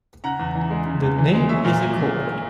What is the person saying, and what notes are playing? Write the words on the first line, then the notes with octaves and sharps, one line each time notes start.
The name is a cord.
C#3 F#5 A#5
E2
E3
G#3
C#3
E2
E3
G#3
F#3 E5
A#2